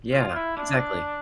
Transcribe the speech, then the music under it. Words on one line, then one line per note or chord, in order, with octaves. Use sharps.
Yeah, exactly.
F4
E4
D4